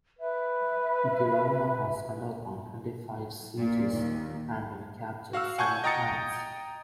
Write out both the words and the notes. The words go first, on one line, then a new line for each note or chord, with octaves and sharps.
Girona has undergone twenty-five sieges and been captured seven times.
B4 E5
A#2
D#2
F#4 F5 F#5 E6
F#5 G#5 A5 C#6 G6 G#6
D#5 G5 A#5 D#6 A6 C#7